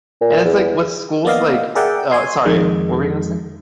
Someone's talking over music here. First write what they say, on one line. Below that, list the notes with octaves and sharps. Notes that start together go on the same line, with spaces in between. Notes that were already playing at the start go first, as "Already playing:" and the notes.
and it's like, what schools, like uh, sorry, what were you gonna say?
A#2
E2
A#3 B3 D5 D#5 F5
G#4 A#4 D5 E5 F#5 G5
C#5 G#5 C6
F2 D#3 G#3